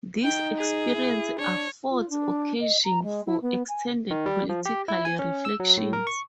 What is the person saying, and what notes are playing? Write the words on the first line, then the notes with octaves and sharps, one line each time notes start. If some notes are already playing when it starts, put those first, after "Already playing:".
This experience affords occasion for extended political reflections.
D#4 G5
G#4
E4
D4 C#5
F4
D4
D#5
A#5
G#3
E4
B3
G#5
D#3
G3
F3
G4
E4
G#5
C#4
E6
F#3
A2
A#4
C#6